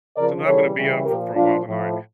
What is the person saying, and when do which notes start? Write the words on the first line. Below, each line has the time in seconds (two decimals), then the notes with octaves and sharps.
so now I'm gonna be up f for a while tonight
0.15 C#3 F3 A#4 D5
0.45 C#3 E3 G3 A4 C#5
0.75 C#3 E3 G3
1.05 A#2 F3 G4 A#4
1.34 A#2 F3 D4 F4
1.65 A2 F3